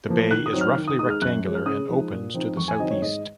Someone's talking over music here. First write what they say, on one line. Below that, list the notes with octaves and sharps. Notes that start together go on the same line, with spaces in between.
The bay is roughly rectangular and opens to the southeast.
F3 A#3
D#3 F#6
D#6
F#3 C4 D#4
F6
D#3
D#6
G#3 D#4 D#6
F6
F#2 F#6
F3 G#3 C#4
F6
C#3 D#6
F3 G#3 D#4
A#2
F3 C4 D#4
F2 C#6
G#5
D#3 F#3 C4 D#4 D#5
C#5
G#2 D#5